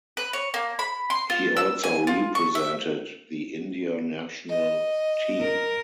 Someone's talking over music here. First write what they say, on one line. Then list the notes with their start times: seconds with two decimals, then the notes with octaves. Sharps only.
He also represented the India national team.
0.17 B4
0.33 C#5
0.54 A#3
0.79 B5
1.10 C6
1.30 F4
1.57 E6
1.84 G#5
2.07 F4
2.35 C#6
2.55 E5
4.49 D#5
5.41 A#4